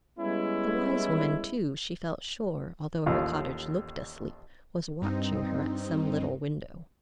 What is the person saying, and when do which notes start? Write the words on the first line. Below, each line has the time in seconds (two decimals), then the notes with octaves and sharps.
The wise woman, too, she felt sure, although her cottage looked asleep, was watching her at some little window.
0.19 G3 G#3 B3 C#4 E4
3.06 A1 D#2 F4
5.02 G2 C4 D#4